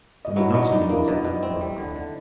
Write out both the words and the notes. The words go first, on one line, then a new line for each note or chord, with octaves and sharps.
The monotony was unbroken.
D#5
F#3 E4 E5
F#3 D#4 D#5
D4 D#4 D5
A#3 E4 E5
B2 D#4 D#5
B2
C4
G3
D3
D3